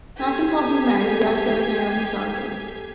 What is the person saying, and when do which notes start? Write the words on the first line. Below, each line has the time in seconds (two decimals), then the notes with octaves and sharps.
McIntosh was married to the academic Naomi Sargant.
0.17 G4 A4 G#5 G#6 B6 C7